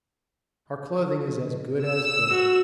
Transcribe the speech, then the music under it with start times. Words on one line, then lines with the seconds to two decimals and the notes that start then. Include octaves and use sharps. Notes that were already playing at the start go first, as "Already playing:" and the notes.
'Our clothing is as good as good.
1.85 E6
2.30 F#4